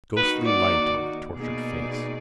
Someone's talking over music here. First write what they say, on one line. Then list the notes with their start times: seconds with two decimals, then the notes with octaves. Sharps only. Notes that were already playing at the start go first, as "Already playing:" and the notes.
Ghostly light on the tortured face.
0.17 D#3 A#3 D#4 F#4 B4
0.46 D5
1.35 B2 A#3 D#4 G#4 D5